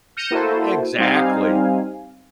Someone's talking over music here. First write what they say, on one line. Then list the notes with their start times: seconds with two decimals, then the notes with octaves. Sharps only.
Yeah, exactly.
0.17 F6 G6 A#6 C#7 D#7 E7
0.30 A#3 E4 F#4 A4 C5
0.98 G3 C4 D#4 F5 G#5